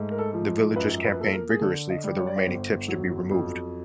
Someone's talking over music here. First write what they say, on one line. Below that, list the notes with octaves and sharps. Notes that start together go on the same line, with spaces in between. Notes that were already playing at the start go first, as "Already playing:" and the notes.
The villagers campaigned vigorously for the remaining tips to be removed.
Already playing: G#2 A3
A#4
A4
F3
F#2 B4
B4
A#3 A4
A#4
G#4
D3 A4
D#5
G3
C#5
D5
C#5
G1 C5
F#3
F2